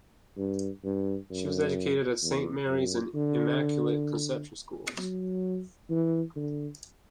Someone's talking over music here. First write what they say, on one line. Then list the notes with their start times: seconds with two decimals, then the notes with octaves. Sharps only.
He was educated at Saint Mary's and Immaculate Conception Schools.
0.37 G2
0.85 G2
1.30 F#2
2.22 E2
2.67 F#2
3.15 D3
4.98 F#3
5.90 E3
6.36 D3